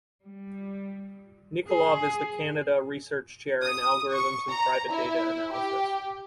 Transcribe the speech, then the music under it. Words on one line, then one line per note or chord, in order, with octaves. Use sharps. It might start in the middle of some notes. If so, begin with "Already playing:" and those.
Nikolov is the Canada Research Chair in Algorithms and Private Data Analysis.
G3
G#4
D#6
C#6
A#5
E4
G4